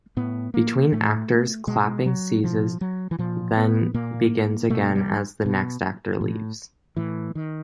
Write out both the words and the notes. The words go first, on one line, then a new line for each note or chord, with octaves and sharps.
Between actors, clapping ceases, then begins again as the next actor leaves.
A2 B3
A#3
A2 A3
B2 G#3
F#3
B2 F3
F#3
E3
A#2 F3
B3
A#2 A#3
B2 A3
G3
B2
A2
A2 E3
D#3